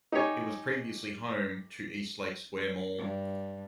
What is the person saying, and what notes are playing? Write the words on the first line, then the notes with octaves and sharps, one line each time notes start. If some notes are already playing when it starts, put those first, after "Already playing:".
It was previously home to East Lake Square Mall.
D#4 G4 C#5 G#5
G2